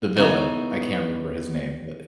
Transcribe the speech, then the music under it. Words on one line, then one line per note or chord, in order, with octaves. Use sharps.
the villain, I can't remember his name, but
C#3 E3 B3 D#4